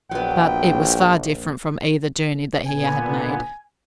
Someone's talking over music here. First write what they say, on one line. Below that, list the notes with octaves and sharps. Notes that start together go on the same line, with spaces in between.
But it was far different from either journey that he had made.
A#1 F#3 B3 G5
A#2 D3 B3 G#5